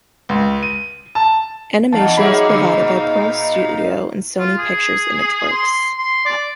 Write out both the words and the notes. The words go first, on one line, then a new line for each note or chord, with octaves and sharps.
Animation was provided by Pearl Studio and Sony Pictures Imageworks.
C#2
D#7
A5
E2 D#4 F5 A5
F#3 A#3 G#4 E5 B5
D3
A#2
F4
G#4
C6
C6
D5